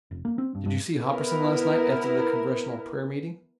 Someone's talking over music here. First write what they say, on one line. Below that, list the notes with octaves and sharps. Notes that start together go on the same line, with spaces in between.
"Did you see Hopperson last night after the congressional prayer meeting?"
F1
A#3
C4
G2
G2
B3 E4 A#4